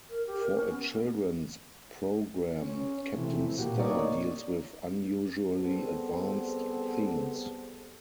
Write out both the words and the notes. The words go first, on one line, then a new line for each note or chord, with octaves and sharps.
For a children's program, Captain Star deals with unusually advanced themes.
A#4
G4
A#4
C#4
B3
C#4
C3 E3 A3
A#2 F#4 G4
A#3 D#4 C#5 D5
G3 B3 C4 G#4 A4